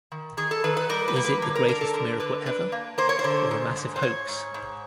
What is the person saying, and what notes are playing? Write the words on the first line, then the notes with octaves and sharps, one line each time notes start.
Is it the greatest miracle ever or a massive hoax?
D#3
D#3 G#4
A4
D#3 B4
B4
G3 A#4
B4
A#3
B4
D3
A#4
D4 A#4
A4
D3 A#4
D3 B4
D4 B4
A#3
A#3 C5
C#5
C5
D3
G#2
G#2
C5
G#2 C#5
G#2
G#2